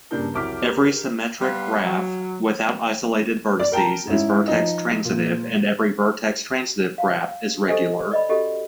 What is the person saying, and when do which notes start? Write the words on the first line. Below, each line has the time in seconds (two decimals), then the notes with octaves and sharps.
Every symmetric graph without isolated vertices is vertex-transitive, and every vertex-transitive graph is regular.
0.11 G2 A#2 C#3 D4 A#4 G6
0.34 C2 F2 F#3 D6 F6 B6
0.62 G4 A#4 B4
1.41 G3 B3 B4 F5 C6
1.84 F#3
3.60 D5
3.72 A#4 G5 A5 A#5
4.07 G#2 C#4 E4
4.48 F3 D#4
5.05 A#2
6.98 F5
7.68 G4 A4 C5 D#5 G#5
8.12 D5 D#5 B5
8.29 C#4 F#4 G4 A4 D#5